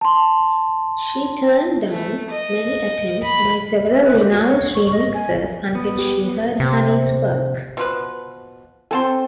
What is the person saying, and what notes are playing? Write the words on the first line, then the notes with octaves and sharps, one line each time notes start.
She turned down many attempts by several renowned remixers until she heard Hani's work.
A5 C6
A3
D#5
B5
E5
B4
G4
F#4
C#5
C#6
D#5
G#5
B3
G4
C3
B2 F3 B4
C4 A4 G#5 A5 C6